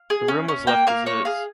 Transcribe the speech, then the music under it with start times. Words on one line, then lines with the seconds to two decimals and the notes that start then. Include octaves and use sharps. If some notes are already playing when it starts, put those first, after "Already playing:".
The room was left as is.
Already playing: F5
0.10 G#4
0.28 C#4
0.48 C#4
0.67 A#3 G5
0.87 A#3 F5
1.06 A#3 C#5
1.25 G#4 F5